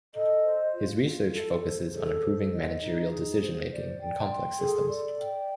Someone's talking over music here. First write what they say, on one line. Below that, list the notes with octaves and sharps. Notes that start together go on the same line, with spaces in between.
His research focuses on improving managerial decision making in complex systems.
A4 D#5
C5
F4
F4
A4
C5
G#4 A4
C5
D#5
D#4
G#4
C5
D5
G5
C6
G#4 A4
D5
G5